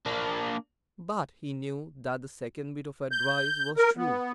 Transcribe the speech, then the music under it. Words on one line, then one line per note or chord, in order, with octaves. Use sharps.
But he knew that the second bit of advice was true.
A#3 D4
G6
A#4
B3